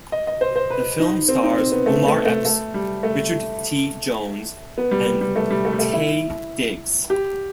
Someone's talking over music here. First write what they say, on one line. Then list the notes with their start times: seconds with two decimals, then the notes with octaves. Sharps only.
The film stars Omar Epps, Richard T. Jones and Taye Diggs.
0.12 D#5
0.27 D#5
0.41 C5
0.56 C5
0.70 B4
1.00 D#4
1.28 C4
1.43 D#4
1.58 C4
1.72 B3
1.86 A3
2.07 A3
2.25 A3
2.45 A3
2.74 G3
3.03 A3
4.78 B3
4.91 G3
5.21 G3
5.36 A3
5.51 G3
5.65 A3
5.73 G3
5.79 A3
5.93 E4
7.10 G4